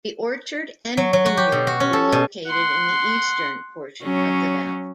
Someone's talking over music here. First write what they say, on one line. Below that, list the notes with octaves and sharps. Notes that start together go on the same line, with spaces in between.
The orchard and vineyard were located in the eastern portion of the valley.
F#3
F#3
F#4
G4
B2
F#4
C#4
A4
B2
F#5 C6
F#3 C#4